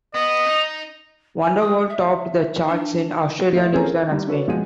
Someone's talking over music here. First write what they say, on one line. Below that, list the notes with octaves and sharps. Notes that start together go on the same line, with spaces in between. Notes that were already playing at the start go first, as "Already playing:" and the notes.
"Wonderwall" topped the charts in Australia, New Zealand, and Spain.
B3 D#5
D#4
G#5
D#6
E5
D4
F3 A3 E4
C4 C#4 G#4 A4 A#5
A#4
G3 D#4
D4 F#4 A4 B4 C#5
B1 F3 G#3 G#4 F#5 D#7